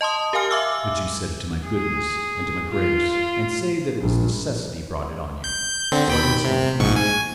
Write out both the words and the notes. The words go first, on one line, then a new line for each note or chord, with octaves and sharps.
But you set it to my goodness and to my grace, and say that it was necessity brought it on you, so I must not hang you.
D#5 A5 C6 D#6
G4 A#4 F5 G#5 F6
E5 D6 E6
G#4
F4
A#1
G6
D3 C4
D#2 G5 B5
C3
A#1 G#2 C#6
G#5